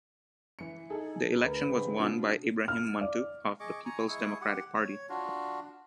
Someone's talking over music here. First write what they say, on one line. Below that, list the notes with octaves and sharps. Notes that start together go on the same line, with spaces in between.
The election was won by Ibrahim Mantu of the Peoples Democratic Party.
E3 C#7
D#4 G#4 A4 G#5
D2 A#4 B4
C#2 D3 G#3 C4
B2 D4 F4
F6
D5
G#4 D#5 C#6 D6
G#5 A#5 C#6
G#3 E4 C#6 D#6
G4 F#5
C#5
D4 F4 F#4